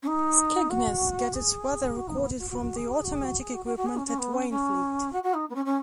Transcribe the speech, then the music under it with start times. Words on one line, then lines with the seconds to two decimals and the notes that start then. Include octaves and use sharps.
Skegness gets its weather recorded from the automatic equipment at Wainfleet.
0.03 C#4
0.07 D#4
0.70 F#4
1.33 G#4
1.96 F#4
2.08 D#4
2.18 B3
2.39 F#4
2.50 F#4
2.60 F#4
2.76 G#4
2.88 F#4
2.92 G#4
3.04 F#4
3.13 G#4
3.23 F#4
3.39 G#4
3.54 F#4
3.65 F#4
3.76 F#4
3.86 G#4
3.97 C#4
4.07 C#4
4.18 B3
4.34 C#4
4.50 C#4
5.12 F#4
5.23 F#4
5.34 D#4
5.50 B3
5.55 C#4
5.65 C#4